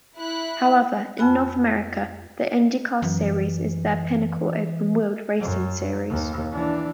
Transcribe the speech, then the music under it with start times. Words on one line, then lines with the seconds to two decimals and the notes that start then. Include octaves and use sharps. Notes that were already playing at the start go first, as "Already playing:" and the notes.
However, in North America, the IndyCar series is their pinnacle open-wheeled racing series.
0.16 E4 B5 F#6
1.18 F2 F4 G#5 B5 F#6
3.02 F#2 E3
5.40 F#2
6.10 D#2
6.52 E3 D4